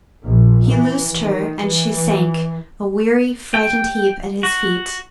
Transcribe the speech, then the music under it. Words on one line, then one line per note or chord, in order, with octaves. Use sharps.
He loosed her and she sank, a weary, frightened heap, at his feet.
A#1
E3
D#3
E3
G5
F#4